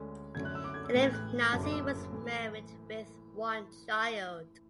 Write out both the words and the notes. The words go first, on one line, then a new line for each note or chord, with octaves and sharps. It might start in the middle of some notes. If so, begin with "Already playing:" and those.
Elif Naci was married with one child.
Already playing: D2 D3 G#3 C#4
F#2 D3 F#3 A3 C#4 G#6
F#6
E6
D6
G#6
E6
A1 A2 E3 B3
G#6
F#6
F#1 F#2 D3 F#3 C#4 A5
D6
E6
E6
A2 E3